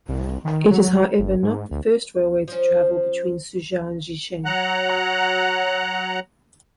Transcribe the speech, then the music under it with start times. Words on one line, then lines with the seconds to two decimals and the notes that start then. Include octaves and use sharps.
It is however not the first railway to travel between Suzhou and Jiaxing.
0.09 C2
0.45 D#3
0.70 F#3
1.19 G1
1.43 G#2
1.71 D2
2.48 F3 C#4
4.45 F#3 F#5 A#5 F#6